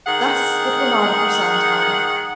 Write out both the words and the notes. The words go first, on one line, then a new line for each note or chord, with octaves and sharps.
Thus it went on for some time.
D#3 G#4 F#5